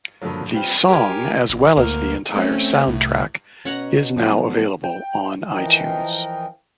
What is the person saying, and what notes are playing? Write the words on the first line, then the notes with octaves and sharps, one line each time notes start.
The song, as well as the entire soundtrack is now available on iTunes.
G2 A#2 D3 F3 F#3
G3 C4 F4 G4 B4
G4 A#4 G#5
A1
D2 A#3 A#4
A3 C4 C#4
C2 A2
B2 C#4 F#5 A#5
A2 D3 F3 F#3 B3
G5
E3 F3 A#4 D#5 G5